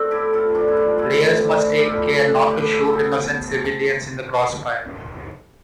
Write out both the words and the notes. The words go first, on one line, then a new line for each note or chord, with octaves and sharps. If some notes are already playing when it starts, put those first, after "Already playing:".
Players must take care not to shoot innocent civilians in the crossfire.
Already playing: A3 C4 D4 A4
A2 E4 G4
A2 F4 A4
A2 D4 F4
E4
A3 D4 F4
F3 E4 G4
A2
G3
E3
G4
G3 F4 A4
A2
G3
A2 G4 B4
E3 A4 C5
B3 A4 C5